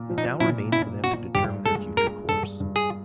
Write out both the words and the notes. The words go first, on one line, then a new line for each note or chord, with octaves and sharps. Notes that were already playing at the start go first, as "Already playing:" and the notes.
It now remained for them to determine their future course.
Already playing: A#2
F3
D#4
A#2 E4
A#2 E4
A#2 F#4
G2 G4
G#3 A4
G#3 A#4
G2 A4
G2
G#4